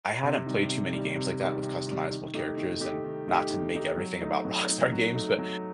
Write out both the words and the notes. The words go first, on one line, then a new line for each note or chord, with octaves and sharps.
I hadn't played too many games like that, with customizable characters, and not to make everything about Rockstar games, but
C3
D#3 G3
C3
D#3 G3
C3
D#3 G3
C3
D#3 G3
D#3
A3 D#4 G4
D#3
A3 D#4 G4
D#3
A3 D#4 G4
D#3
A3 D#4 G4
F#3
A3 D#4
F#3
A3 D#4
F#3
A3 D#4
F#3